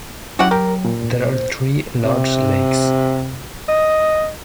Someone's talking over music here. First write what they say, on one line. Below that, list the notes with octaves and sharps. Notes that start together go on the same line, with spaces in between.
There are three large lakes.
F#3 C#4 E4 F#4 G4 F#5
G4 A#4
A#2
C5
C3
D#5